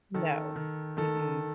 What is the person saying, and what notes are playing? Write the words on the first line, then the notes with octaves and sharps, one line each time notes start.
No. Mm-mm.
D#3 A4
D#3
D#3 A4